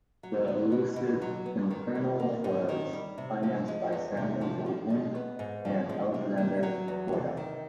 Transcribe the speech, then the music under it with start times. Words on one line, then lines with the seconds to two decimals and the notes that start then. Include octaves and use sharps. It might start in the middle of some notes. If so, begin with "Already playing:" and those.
"The Elusive Pimpernel" was financed by Samuel Goldwyn and Alexander Korda.
0.23 F#3
0.48 B3
0.72 B2
0.96 B2
1.22 F#3
1.46 B3
1.71 D#3
1.95 G3
2.20 A#3
2.44 G#2
2.69 D#3
2.93 G3
3.18 C3
3.43 F3
3.68 G#3
3.93 E2
4.17 C3
4.41 F3
4.66 F3
4.90 G#3
5.15 B3
5.39 G#2
5.65 F3
5.89 G#3
6.14 C3
6.38 D#3
6.63 F#3
6.88 E2
7.13 C3
7.37 D#3